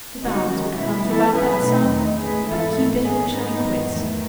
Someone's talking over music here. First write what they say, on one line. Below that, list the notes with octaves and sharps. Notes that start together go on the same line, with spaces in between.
"The balance would come to about that sum; but keep it, and we shall be quits."
C#3 G#3 D#4 F#4
D#3 F#3 C#4
B2 A3 E4
G#2 E3 B3 E4 A4
F#3 C#4 G#4 B4
B2 F#3 A3 D#4
E2 D#3 A3 D#4
A2 G#3 C#4 G#4 B4
G#2 E3 B3 E4 A4
G#2 D#3 A3
G#2 D#3 A3 C#4 G#4
G#3 B3 D#4
G#2 D#3 F#3
E2 D#3 A3